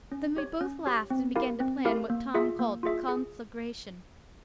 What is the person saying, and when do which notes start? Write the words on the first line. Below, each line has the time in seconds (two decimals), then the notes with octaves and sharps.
Then we both laughed and began to plan what Tom called a conflagration.
0.12 C#4
0.37 G4 C#5
0.61 C#4
0.86 G4 C#5
1.10 C4
1.36 E4 G4 A#4 F5
1.60 C4
1.85 E4 G4 A#4 F5
2.10 A#3
2.34 F4 G#4 E5
2.59 A#3
2.83 F4 G#4 E5
3.09 G#4